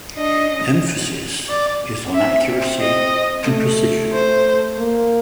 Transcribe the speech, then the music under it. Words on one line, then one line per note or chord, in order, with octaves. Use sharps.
Emphasis is on accuracy and precision.
D4 D#5
C#4
D5
C4 E5
D#5
A3
C5
A#3